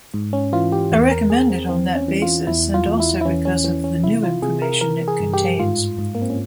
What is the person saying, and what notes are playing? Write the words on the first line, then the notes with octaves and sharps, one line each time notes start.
I recommend it on that basis--and also because of the new information it contains.
G#2
C#4
E3 F4
G4
E2
A#4
E2 G#4
C4
E3 C4
C#4
E3
F4
E2 E4
F4
E2
E4
E4
E3 C#4
C#4
E3 C#4
C#4
C3 E4
F4
C3 G#4
A#4
E3 A#4
G#4
G2
G4
G#2 F4
G#2
A#3
C4
C#4